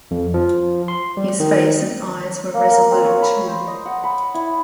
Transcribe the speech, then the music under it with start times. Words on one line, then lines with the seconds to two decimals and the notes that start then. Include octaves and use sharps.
His face and eyes were resolute, too.
0.11 F2
0.34 F3
0.88 C6
1.17 G3
1.40 D#3
2.54 A#3
2.70 A#4
2.91 C4
3.04 C#5
3.21 B5
3.48 C5
3.67 D#5
3.85 F#5
4.04 B5
4.34 E4